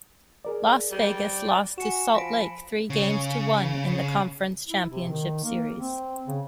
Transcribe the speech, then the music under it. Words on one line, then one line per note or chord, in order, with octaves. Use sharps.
Las Vegas lost to Salt Lake three-games-to-one in the Conference Championship Series.
G#4 A#4 D5
G3
F#4 G#5 C#7 E7
F3 B5 A#6 D7
C#3
E4
C3
D#3
A#3
C4
C#3